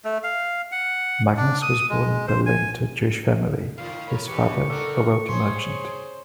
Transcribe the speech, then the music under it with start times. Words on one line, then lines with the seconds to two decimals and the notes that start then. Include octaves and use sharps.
Magnus was born in Berlin to a Jewish family, his father a wealthy merchant.
0.05 A3
0.24 F5
0.72 F#5
1.37 D4
1.62 D#6
1.90 G#3
2.27 C5
2.46 G#5
3.78 A2 D#3 F3 F5
4.08 A#4 C#5 B5
4.28 C#3 E3 G4 B4 C#6
4.70 C4 D#4 A4 A#4 D5 F#5
5.28 C#4 G#4 C5 C#5 C6